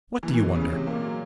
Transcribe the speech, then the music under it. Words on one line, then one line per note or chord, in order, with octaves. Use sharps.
"What do you wonder?"
A#2 E3
A#2
B2 G#3
C#3 C#4
C3 G#3
A#2 A#3
F#3